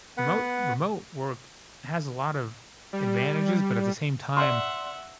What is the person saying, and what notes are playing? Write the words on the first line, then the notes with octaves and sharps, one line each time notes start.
remote remote work has a lot of advantages, but, at the same time,
B3 B4 F#5
G3
D5 E5 F#5 C6